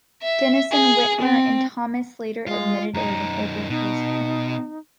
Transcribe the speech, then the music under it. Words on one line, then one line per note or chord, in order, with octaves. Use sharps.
Denison Witmer and Thomas later admitted it was an April Fools' prank.
E5
G#4
C4
G#3 F4
F#2 D#4 A#5
B2 D#4